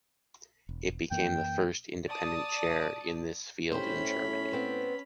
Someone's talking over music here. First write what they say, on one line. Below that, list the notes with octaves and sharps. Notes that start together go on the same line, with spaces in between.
It became the first independent chair in this field in Germany.
E1
F#2 E3 A#3 G5
D5 A5 D#6
A2 C#4 G4 C5 B5
B3 C4 C5